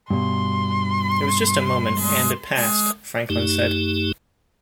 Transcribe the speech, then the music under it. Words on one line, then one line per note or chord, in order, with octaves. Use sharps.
It was just a moment and it passed, Franklin said.
G2 B2 C6
F#2 A3 D#4 G4